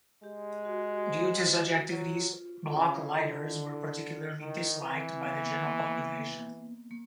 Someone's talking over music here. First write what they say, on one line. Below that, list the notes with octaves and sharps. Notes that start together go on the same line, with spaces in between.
Due to such activities, "Blockleiters" were particularly disliked by the general population.
G#3 G4
F#4
C5
C5
B4
F#3 F4
C#3 E4
D3
D#3
E3 C4
B3
A#3
A#3
A#3
A#3